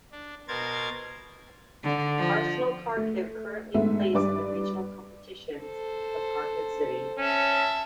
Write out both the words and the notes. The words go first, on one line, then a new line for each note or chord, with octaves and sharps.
Arsenal Kharkiv currently plays in the regional competitions of Kharkiv city.
D4
B2 A#4 C5 G#6 A6
D3
F3
A3
G#2 G#3 A3 B3 E5
G2 G3 B4 D5 D6
A4 C5
C#4 E5 A5